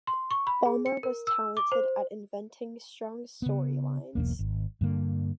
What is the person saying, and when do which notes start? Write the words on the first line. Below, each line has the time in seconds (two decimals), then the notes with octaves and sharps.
Balmer was talented at inventing strong story lines.
0.07 C6
0.31 C#6
0.47 B5
0.65 G#4
0.86 C#7
1.03 A#4
1.27 E6
1.57 D6
1.72 C5
3.42 C#3 B3
4.15 E1 B1 E2 A#3
4.39 G#1
4.81 G2 D3 A#3